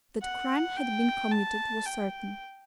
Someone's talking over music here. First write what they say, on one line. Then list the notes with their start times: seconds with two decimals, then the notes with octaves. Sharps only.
That crime had been committed was certain.
0.22 F#5
0.77 G5
1.31 A5
1.86 G5